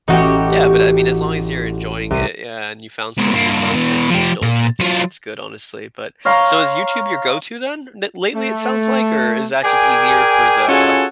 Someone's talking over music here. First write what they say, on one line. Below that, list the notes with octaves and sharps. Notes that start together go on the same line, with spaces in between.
Yeah, but, I mean, as long as you’re enjoying it, yeah, and you found some new content to indulge in, I think that’s good, honestly. But so is YouTube your go-to then? N lately, it sounds like, or is that just easier for the
A1 D#4 F#4 G4
C2 D#7
G#2 B2
G2 A#3
B2 E3
F3 G4
A#2
F#3 F4
C#5 F5 A#5 C6
A3
G#4 A#4 D5 G5 G#5
C#4 F4 F#4 G#4 A4